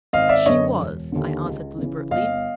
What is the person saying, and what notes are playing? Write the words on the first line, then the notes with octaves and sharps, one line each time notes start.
'She was,' I answered, deliberately.
G#1 D#5 F5
D5 E5
F#2 D3 C#5 D#5
E1
D#2 D3
C#2
C#3 E3
G1 D#5 F5